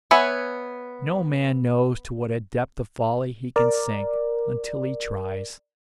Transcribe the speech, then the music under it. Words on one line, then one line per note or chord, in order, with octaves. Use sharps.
No man knows to what a depth of folly he can sink until he tries.
B3 B4 C#5 E5 G#5
A#4 D5